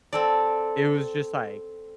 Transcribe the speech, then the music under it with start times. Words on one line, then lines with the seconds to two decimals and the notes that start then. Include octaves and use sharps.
it was just, like,
0.13 C4 A4 D5